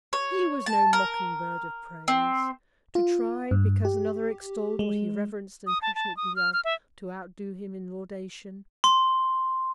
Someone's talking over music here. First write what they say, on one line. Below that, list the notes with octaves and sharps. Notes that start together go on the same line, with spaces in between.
He was no mocking-bird of praise, to try because another extolled what he reverenced and passionately loved, to outdo him in laudation.
C#5
A5
A#4
C4
F4
G2
G4
G#3
D#6
A5
A5
D#6
F6
F6
E5
C6